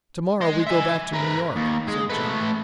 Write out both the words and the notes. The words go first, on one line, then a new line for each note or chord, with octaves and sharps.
"To-morrow we go back to New York," said Jim.
D#5 C6
E5 G#5
A#4 B4
D#2
G#3
A3 B4